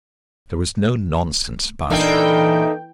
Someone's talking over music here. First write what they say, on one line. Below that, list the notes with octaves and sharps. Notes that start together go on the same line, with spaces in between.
There was no nonsense about her.
A#2 E3 A3 A#3 D4 D#4 G5